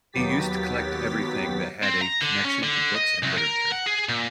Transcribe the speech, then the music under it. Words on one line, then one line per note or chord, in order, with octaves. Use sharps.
He used collect everything that had a connection to books and literature.
D#2 F#3 B3 G4 A6 B6
C4
A#5
D3
C#4
D3
D#5
C2
A#4
F#5
G#4
A#2